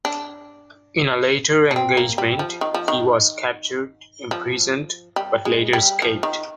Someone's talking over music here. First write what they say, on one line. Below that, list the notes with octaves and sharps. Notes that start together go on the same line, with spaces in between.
In a later engagement, he was captured, imprisoned, but later escaped.
D4
D4
C4
A#3
G3
F3
D#3
F3
D#3
F3
G3
G#3
G3
F3
D#3